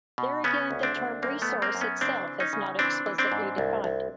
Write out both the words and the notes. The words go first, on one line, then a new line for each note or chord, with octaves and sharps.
There again, the term "resource" itself is not explicitly defined.
B2
C#3 B3 C#4
D2
C4 D4
D2
F#2 A#3 C4
A3 B3
F#2
A#3 C4
F#2
B3 C#4
C#3 C4 D4
E3
C#4 D#4
C#3
E3 C4 D4
E3
C4 D4
G#2
C2
C2